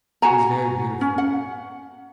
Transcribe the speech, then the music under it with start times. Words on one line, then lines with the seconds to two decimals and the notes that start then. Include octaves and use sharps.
He was very beautiful.
0.22 F#4 F#5 G#5 A#5
1.01 C#4
1.18 F#5